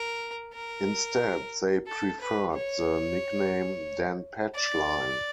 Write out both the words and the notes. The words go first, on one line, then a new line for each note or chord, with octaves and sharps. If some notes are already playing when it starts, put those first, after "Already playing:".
Instead, they preferred the nickname Dan Patch Line.
Already playing: A#4
A#4
A4
B4
C#5
D5